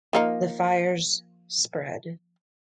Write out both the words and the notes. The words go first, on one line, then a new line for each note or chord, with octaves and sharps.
The fires spread.
F3 A#3 D#4